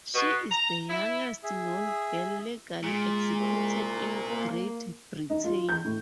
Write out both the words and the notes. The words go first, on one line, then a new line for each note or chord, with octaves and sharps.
She is the youngest known girl legally executed in Great Britain.
B2
A#5
E4
G#4 E5
A#2 G#3
C2
A#3
D#4
F4
G6
A2